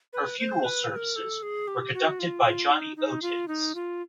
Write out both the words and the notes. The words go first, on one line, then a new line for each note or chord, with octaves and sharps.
Her funeral services were conducted by Johnny Otis.
B4
C5
B4
B4
A#4
A4
G#4
G4
F#4
F4
F4
D#4
D#4
F4
D#4
F4